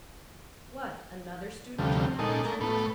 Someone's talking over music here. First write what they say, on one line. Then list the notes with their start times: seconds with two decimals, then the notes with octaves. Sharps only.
"What--another student in that retreat?"
1.79 D2 C3 F3 G3 A3
2.19 A#2 G#3 D#4 A4
2.45 A3 A#3
2.61 A2 A3 B3